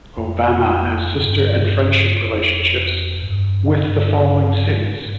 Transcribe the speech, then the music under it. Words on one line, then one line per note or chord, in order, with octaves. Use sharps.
Obama has sister and friendship relationships with the following cities.
F2
G2
F2
G#2
G2
G2
G#2